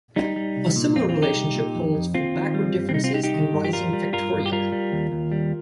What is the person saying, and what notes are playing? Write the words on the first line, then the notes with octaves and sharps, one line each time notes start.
A similar relationship holds for the backward differences and rising factorial.
G3 D#4
G3
C2
A#2
F2 C4 F4
C4 F4
F2
D#4 G4
C2
A#2
F2
F2
D#2 C4 F4
D#3
G3
G2
C4
C2 D#4
C4 F4
C2 D#4 G4
D#4 G4
D#3
G2
G4
G3 F4 A#4
G3
G2 F4 A#4
G2
G4
G3 F4 A#4
G3
D#2
D#2
G3